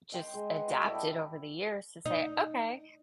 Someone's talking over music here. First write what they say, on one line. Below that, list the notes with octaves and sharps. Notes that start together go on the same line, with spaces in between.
just adapted over the years to say, "Okay,
D#5 G5 C6
G#3
B4 F#5
F#4 D#5
E4 A4 D5 D#5
G5
D#4